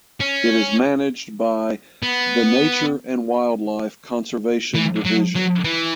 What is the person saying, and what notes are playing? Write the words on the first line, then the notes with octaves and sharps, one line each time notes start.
It is managed by the Nature and Wildlife Conservation Division.
C#4
B3
E3
F#3
F#3
E3